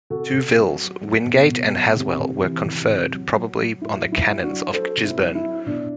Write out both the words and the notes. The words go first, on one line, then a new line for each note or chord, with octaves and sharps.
Two vills, Wingate and Haswell, were conferred, probably on the canons of Gisburn.
C3 F#4 A4
C3
F#3
F#3
F#3
B2
B2
F#3
C3
C3
E3
C3
C3
F#3
F#3
F#3
A2 E4
F#3
E4
F#3
D4 F#4
F#3
F#3 A4 C5
C3
E4
F#3
E4
F#3
B2 D4